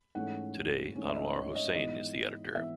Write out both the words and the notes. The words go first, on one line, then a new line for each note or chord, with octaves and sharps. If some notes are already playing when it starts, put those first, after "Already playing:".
Today, Anwar Hossain is the editor.
G#2 E3 A3 C#4 F#5
G#2 E3 A3 C#4
E5
D#5
C#5
D#5
G#2 E3 B3 D#5
E3 B3 E5